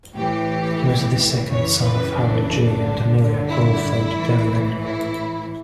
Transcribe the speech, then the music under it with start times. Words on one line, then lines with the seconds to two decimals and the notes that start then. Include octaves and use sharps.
He was the second son of Harry G. and Amelia Crawford Devlin.
0.15 A2 E3 G4
1.49 F#2 C#3 E3 C#5
1.82 B4
2.16 D4
2.83 G2 D3
3.49 E4
4.15 A2 E3
4.83 E4